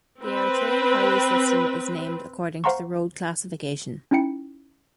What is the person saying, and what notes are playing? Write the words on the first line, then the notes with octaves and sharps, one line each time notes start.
The Eritrean highway system is named according to the road classification.
C4 B4
C5 F5 F#5 A#5 C6 C#6
C#4 D#4 E4 G5 C#7